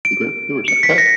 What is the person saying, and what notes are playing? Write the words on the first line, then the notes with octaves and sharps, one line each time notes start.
The Great Believers, okay.
D7
C#7
B6
A#6